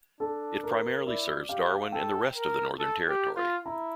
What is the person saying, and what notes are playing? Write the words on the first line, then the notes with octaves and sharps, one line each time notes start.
It primarily serves Darwin and the rest of the Northern Territory.
D4 A4
A#4
E4 D5
G4 F5
A4 G5
A#4
A4
G4
F4
E4 A#5